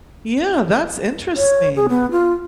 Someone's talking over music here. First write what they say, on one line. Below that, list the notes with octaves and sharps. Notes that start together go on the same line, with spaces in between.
Yeah, that's interesting.
C#5
G#4
B3
F4